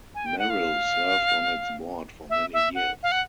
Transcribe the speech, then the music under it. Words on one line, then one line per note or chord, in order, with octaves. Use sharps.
Merrill served on its board for many years.
G#5
G5
F#5
F5
E5
E5
F#5
F5
F#5